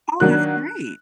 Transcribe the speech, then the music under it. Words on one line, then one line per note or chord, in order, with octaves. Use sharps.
Oh, that's great.
D#3 F#3 A#3 D4 F#6